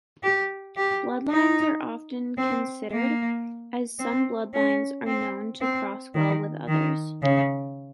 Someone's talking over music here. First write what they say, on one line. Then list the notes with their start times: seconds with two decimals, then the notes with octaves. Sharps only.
Bloodlines are often considered, as some bloodlines are known to cross well with others.
0.23 G4
0.77 G4
1.30 D#4
2.38 C4
2.92 A#3
3.99 C4
4.54 C#4
5.07 C4
5.61 C4
6.14 D#3
6.68 D#3
7.22 C#3